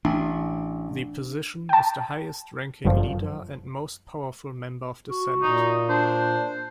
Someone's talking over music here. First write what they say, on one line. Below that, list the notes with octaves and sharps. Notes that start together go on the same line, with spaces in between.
The position is the highest-ranking leader and most powerful member of the Senate.
A1 D4
G5 A5
G1 F#2 D3 F3
F#4
A#2 D#4
D4 C5